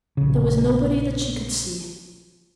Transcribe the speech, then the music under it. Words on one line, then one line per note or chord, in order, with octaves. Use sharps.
There was nobody that she could see.
A#1 C#3